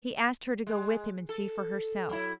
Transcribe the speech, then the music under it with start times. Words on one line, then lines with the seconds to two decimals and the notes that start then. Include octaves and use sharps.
He asked her to go with him and see for herself.
0.67 G#3
1.29 A4
2.09 F#3 E4